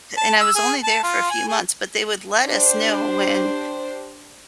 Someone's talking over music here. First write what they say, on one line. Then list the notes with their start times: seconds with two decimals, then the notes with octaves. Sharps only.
and I was only there for a few months, but they would let us know when
0.17 A5
0.41 E6
0.55 G#4
0.84 A5
1.03 F4
1.31 G#5
1.48 G#4
2.45 D4 G4 C5